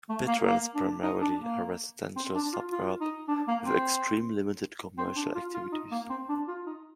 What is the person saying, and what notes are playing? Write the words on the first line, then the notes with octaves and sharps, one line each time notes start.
Bidwill is primarily a residential suburb with extremely limited commercial activity.
A3
A#3
A#3
D4
D#4
D4
A#3
C4
D4
F4
F4
D#4
D4
A#3
C4
C4
D4
F4
F4
D#4
A#3
C4
D4
F4
D#4